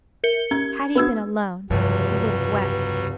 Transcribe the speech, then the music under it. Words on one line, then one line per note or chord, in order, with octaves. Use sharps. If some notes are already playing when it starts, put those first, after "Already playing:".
Had he been alone, he would have wept.
A#4 C#7 G7
C#4 G#6
B3 D4 F#4 E6 G#6
F1 C#2 G2 F#3 G3 B4